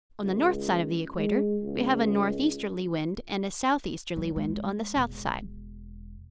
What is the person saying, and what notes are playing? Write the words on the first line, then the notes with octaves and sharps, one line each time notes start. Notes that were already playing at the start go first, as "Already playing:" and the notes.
On the north side of the equator we have a northeasterly wind, and a southeasterly wind on the south side.
C#2
G#3
C#2
F#3
G#3
E1